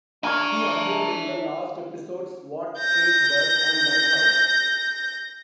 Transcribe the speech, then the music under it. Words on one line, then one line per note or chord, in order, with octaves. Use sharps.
He appeared in the "Lost" episodes "What Kate Does" and "Lighthouse".
D4 A#4 C#5 E5 G#5
G6 A#6